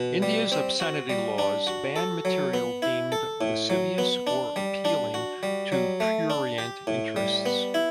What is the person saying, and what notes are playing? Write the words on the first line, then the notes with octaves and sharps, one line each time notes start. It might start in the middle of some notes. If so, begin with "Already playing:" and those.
India's obscenity laws ban material deemed "lascivious or appealing to prurient interests".
Already playing: B2
G3
C4
F#4
G3
D4
F#4
A4
F#3
B3
E4
A4
A2
F#3
B3
D4
G3
D4
F#4
G3
F#3
A3
D4
G4
A2
G3
B3
E4